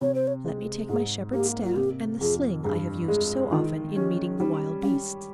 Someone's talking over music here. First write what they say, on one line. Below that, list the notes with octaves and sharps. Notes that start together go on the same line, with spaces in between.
Let me take my shepherd's staff and the sling I have used so often in meeting the wild beasts.'
C3 C#5
C5
C#5
G#3
G#2 G#4
A#3 G4
F4
C3 G4
F2 G#4
G2 G#4
G#3 G#4
D#3 F4
C#4 G4
G3 D#4
C#4 G4